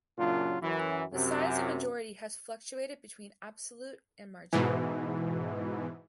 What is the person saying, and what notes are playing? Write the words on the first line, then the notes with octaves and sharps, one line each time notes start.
The size of majority has fluctuated between absolute and marginal.
F#2 A#2 C#3 F#3 D4 F4
F#2 E3
F#2 C3
G#2 B2 E3